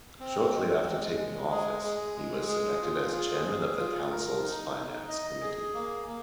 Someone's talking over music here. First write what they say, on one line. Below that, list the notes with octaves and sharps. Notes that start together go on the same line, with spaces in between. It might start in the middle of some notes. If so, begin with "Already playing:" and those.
Shortly after taking office, he was selected as Chairman of the Council's Finance Committee.
C4
G#3
G#3
G#3
G#4
G#4
G#3
G#4
F4
G#4
G#4
F4
A#4
D#4
D#4
D#5
G#4
A#3
A#3